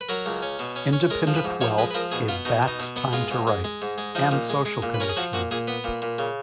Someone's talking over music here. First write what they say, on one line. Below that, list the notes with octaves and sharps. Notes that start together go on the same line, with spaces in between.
Independent wealth gave Bax time to write, and social connections.
B4
F#3 A#4
C#2
C#4
B2
C#4
C#4
G#3 A#4
F3
B4
G#2
F3 C#5
G#3 B4
B4
F3 A#4
B2 G#4
B3 F4
B2 D#4
B2
D#4
B2
B3
G#3 F4
G#2
G#3
G#3
G#2
G#3
F3 D#4
A#2
G#3
G#3
A#2
B4
C#4 A#4
G#4
F3 F#4
A#2 F#4
A#2 G#4
B3 B4
A#2
A#2
C#3